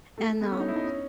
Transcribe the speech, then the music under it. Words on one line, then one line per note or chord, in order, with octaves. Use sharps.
and, um,
A3
A3
B3
C#4
D#4
E4
D#4
C#4